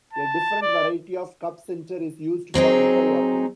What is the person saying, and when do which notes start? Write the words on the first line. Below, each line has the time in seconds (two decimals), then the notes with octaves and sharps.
A different variety of cup center is used for metalworking.
0.13 A5
0.62 D5
2.54 F#3 C4 D#4 G#4